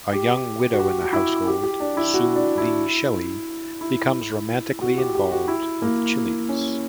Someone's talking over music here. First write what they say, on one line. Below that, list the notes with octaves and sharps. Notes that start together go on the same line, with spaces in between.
A young widow in the household, Sue Lee Shelley, becomes romantically involved with Chiles.
G4
F#4
G4
F#4
E4
G4
G4
D4
E4
F#4
D4
E4
E4
F#4
G4
G4
F#4
E4
A#3
C#4